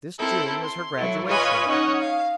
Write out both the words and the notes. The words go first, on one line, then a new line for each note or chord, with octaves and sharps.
This June was her graduation.
C4 E4 A4 A#4
C6
F#3 E4 A4
F4 B4 C#5 D#5 G#5 B5
C#4 D#4 C#5 D#5 F#5
F5